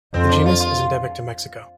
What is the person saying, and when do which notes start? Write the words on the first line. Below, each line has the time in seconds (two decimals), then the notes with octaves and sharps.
The genus is endemic to Mexico.
0.14 F2 C4
0.29 D4
0.46 F4
0.60 F4